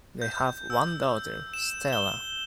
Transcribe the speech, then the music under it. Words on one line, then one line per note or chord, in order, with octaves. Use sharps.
They have one daughter, Stella.
G6
E6
E7
G7